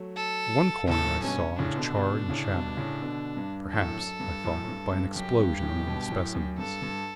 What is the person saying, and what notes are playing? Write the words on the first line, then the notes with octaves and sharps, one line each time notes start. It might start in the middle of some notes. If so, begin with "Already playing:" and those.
One corner I saw was charred and shattered; perhaps, I thought, by an explosion among the specimens.
Already playing: F#3 A3
A4
A2 C#3 A4
F#2 A2
G2 B2 C#4
A2 C#3 D4
B2 D3
B2 D3
B2 D3
A2 C#3
G2 B2
A2 C#3
B2 D3
G2
F#2 A2 A4
F#2
G2
F#2 A2
A2
G2
G2
F#2 G4
G2
F#2 A2
G2 B2
F#2 A2
F#2
G2 A4
G2